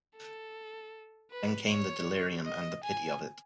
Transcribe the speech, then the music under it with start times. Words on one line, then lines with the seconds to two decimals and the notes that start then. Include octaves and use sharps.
Then came the delirium and the pity of it.
0.16 A4
1.31 B4
1.69 C#5
2.45 D#5
2.84 G#5